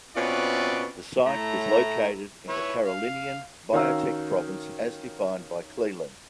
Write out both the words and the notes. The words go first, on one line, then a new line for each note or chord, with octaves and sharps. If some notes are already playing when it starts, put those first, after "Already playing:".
The site is located in the Carolinian Biotic Province as defined by Cleland.
B2 C4 C#4 F4 B4 D5
A2 A3 A#5
E4 B4 C#5
F5
D#3 C#4 F#4 F5 A#5 E6